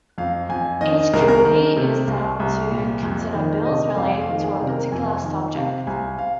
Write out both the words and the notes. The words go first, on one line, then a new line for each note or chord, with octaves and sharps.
Each committee is set up to consider bills relating to a particular subject.
F2 F5
F2 G#5
D#3 D#5
C2 A#4
G#4
A#4
D#3
C3
C2
C2
A#2
F2
D#3
C3 D#5
G#5
F2 F5
F5
D#3
G#4
C3
A#4
F2 G#5
D#3
C3 F5
C2 G#5
F5